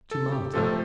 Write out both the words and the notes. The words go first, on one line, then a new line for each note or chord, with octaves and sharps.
"To Malta?"
A4
G4
C3 F3 A3 A4